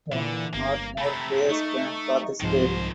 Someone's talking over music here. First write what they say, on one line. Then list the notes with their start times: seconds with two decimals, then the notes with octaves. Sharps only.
One or more players can participate.
0.12 A#2 D3 E3
0.54 G1 A#3
0.98 C3 A3 A#5 B5 E6
1.50 A3 D#4 C#6
2.41 C2 G#2 D#3 F3 C5